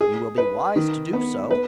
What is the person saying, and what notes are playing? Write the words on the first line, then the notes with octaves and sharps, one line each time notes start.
"You will be wise to do so."
G#4
B4
D#3
B3
B4